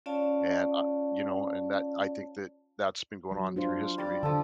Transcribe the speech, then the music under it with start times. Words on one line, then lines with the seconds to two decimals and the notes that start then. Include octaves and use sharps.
And, uh, you know, and that, I think, that that's been going on through history.
0.06 C#4 F4 C#5 D5 F5 A5
3.31 F#3
3.56 D4 F4 C5
3.98 G3 D5 D6
4.23 D3 F3 A4